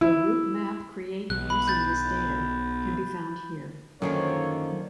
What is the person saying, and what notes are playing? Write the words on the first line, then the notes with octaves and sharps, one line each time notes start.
A route map created using this data can be found here.
E4
B1 F#6
B5
G6 A6
F#2 D3 D#3 F3 A#3 C#5